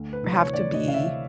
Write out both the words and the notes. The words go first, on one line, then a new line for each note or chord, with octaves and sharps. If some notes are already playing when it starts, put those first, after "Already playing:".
have to be
Already playing: D2
B4
C3 E3
C#5
D2 D5
D#5
C3 E3 F5
E5